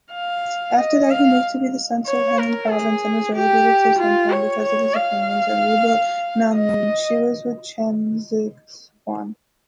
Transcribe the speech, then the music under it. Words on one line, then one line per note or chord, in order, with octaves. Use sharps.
After that, he moved to be the censor of Henan Province, and was relegated to his hometown because of his opinions, and rebuilt Nanyuan She with Chen Zizhuang.
F5
D#5
F5
C#5
A#4
G#4
G4
F4
C#5
C#5
F5
D#5